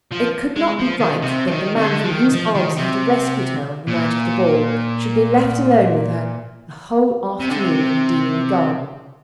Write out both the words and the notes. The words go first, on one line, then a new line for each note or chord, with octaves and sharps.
It could not be right that the man from whose arms he had rescued her on the night of the ball should be left alone with her a whole afternoon in the Deanery Garden!
F3
G#3
F3
D#3
C3
F3
D#3
C3
D3
F3
D#3
F3
D#3
C3
A#2
C3
D3
C3